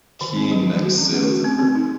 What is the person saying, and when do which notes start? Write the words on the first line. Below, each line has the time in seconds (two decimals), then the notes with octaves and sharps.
"Keying" next sailed to Britain.
0.21 D#3
0.36 C4
0.51 F#3
0.67 D#3
0.82 F#4
0.98 C#4
1.14 A3
1.29 F#4
1.44 C4
1.59 C4
1.75 D#4